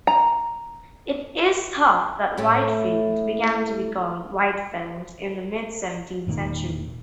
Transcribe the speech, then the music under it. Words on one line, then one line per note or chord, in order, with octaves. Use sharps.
It is thought that Whitfield began to be called 'Whytefeld' in the mid-seventeenth century.
A#5
A2 A3 C#4
E1 A#2 D#3 A#3